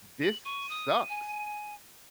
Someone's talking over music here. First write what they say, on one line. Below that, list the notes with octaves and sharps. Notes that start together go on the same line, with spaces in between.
"This sucks."
F#7
C#6 D#7
D#6
G#5